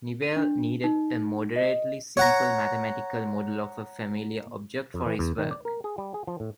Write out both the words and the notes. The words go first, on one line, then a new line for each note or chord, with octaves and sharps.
Newell needed a moderately simple mathematical model of a familiar object for his work.
D#7
D4
D#4
D#5
C#5 F#5 A#5
F2
E3
E2
D#3
D5
A#4
G#4
G3
G#4
F3
A2